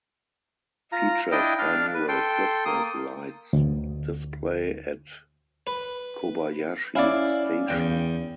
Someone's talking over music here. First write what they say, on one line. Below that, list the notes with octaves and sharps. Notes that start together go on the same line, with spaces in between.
Features annual Christmas Lights Display at Kobayashi Station.
F4 A#5
D4 E4 D#5 G5
D4 F5
B4
A4 G5 C6
A#3 D#6
D2
B4
C#4 E4 D5 F5
E2 G5